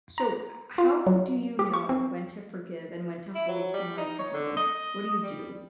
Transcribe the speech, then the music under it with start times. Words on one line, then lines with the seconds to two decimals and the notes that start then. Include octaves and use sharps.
So, ah how do you know when to forgive and when to hold someone accountable? What do you do?
0.18 A#5
0.78 F4
1.07 F#3
1.59 G4
1.74 C#6
1.89 C4
3.35 E4
3.48 F#3
3.73 G3
3.98 D#4
4.19 C#5
4.34 D3
4.57 D#5
5.23 G3